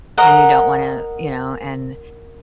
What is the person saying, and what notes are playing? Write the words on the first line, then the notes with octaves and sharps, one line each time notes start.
And you don't wanna, you know, and
A#4 D#5 F#5